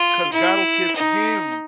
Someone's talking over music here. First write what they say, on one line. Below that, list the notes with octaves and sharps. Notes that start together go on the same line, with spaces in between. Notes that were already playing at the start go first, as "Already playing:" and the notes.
'cause God will give him
Already playing: F4
E4
D#4